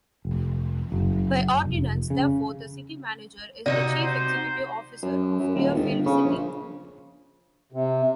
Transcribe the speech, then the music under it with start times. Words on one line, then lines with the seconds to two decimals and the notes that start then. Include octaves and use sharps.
By ordinance, therefore, the city manager is the chief executive officer of Clearfield City.
0.25 F1
0.92 F#1
1.65 F1
2.10 C#3
3.66 C3 D#4 E4 F#4 D5 A#6
4.02 C5
5.02 F#2
5.40 F#2
5.55 D#1
5.74 G1
6.06 C#3
6.24 A#1
7.72 C3